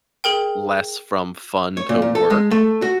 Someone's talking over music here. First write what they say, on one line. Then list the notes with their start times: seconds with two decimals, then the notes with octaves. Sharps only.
less from fun to work,
0.24 G#4 A#4 G5
1.77 C#5
1.89 A#2
2.02 A#2
2.15 A4
2.30 G#3
2.51 A3
2.82 F#4